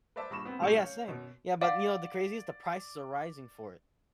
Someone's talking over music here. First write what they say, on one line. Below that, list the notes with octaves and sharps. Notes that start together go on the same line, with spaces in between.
Oh, yeah, same. Yeah, but, you know, the craziest, the prices are rising for it.
B4 C5 D5 E5 A5
A#1 G2 B5 C#6 E7
B3 C4 B4
E1 A2 G3 A4 G6 C#7
C#4 F5
F#2 B2
D5 F5 F#5